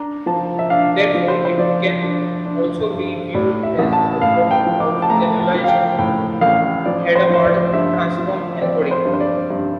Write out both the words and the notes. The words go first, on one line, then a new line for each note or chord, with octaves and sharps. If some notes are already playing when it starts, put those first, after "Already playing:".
Therefore, it can also be viewed as a form of generalized Hadamard transform encoding.
Already playing: D4 A#5
F3 A5
E5
D4 F5
D5
F3
C5
C5
F3 D5
D4
D4
G2
A2 D5
E5
A1
A5
A2 F5
G5
F3
D6
A5
A3 A#5
A5
F3
F5
G5
A2 G5
A1 F5
F3 D5
C5
F3 C5
D5
G2 E5
F3
C4 D5
C5
G2
C5
D5
G2